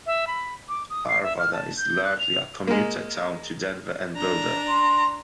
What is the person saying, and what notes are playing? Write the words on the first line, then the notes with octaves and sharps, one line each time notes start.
Arvada is largely a commuter town to Denver and Boulder.
E5
B5
D6
D#6
C7
E5
F6
A5
G6
F#6
F7
G#3 A#3
D4 A#5
C6